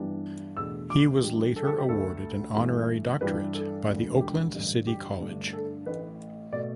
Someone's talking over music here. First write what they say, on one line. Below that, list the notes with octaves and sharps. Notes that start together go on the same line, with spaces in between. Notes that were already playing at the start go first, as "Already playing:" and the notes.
He was later awarded an honorary doctorate by Oakland City College.
Already playing: G2 E3 G3 B3 D4
E2 B2 A3 D4 E6
D6
A1 A2 G3 D4
A4
G4
A4
G4
D2 D3 A3 A4
G2 E3 A3 D4
G2 E3 G3 D4 B4
A4
E1 D2 D3
G4
A1 G2 D3
G4
G2 D3 A3 D4
A4
A1 A2 A3 B4
B2 A3 D5